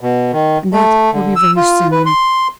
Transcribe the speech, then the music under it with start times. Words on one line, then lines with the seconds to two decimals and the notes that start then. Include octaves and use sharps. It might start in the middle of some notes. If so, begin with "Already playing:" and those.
And that will be very soon.
0.01 B2
0.33 D#3
0.73 A3
1.13 D3
1.36 E6
1.56 F4
1.92 B4
2.06 C6